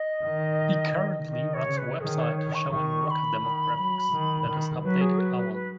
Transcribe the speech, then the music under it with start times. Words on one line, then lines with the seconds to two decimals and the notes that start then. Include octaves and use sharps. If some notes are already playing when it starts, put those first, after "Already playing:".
He currently runs a website showing worker demographics that is updated hourly.
Already playing: D#5
0.24 D#3
1.30 D#3 D#5
1.54 C#5
1.65 C#3
1.77 B4
2.01 D#3 G#4
2.19 C#5
2.36 C#5
2.53 C#6
2.71 D#3 C#6
3.07 C#6
3.10 B5
3.41 D#3
3.77 F#3
4.12 D#3
4.47 D#3
4.83 F#3 B4
5.01 G#4
5.18 B4
5.36 B4
5.53 B4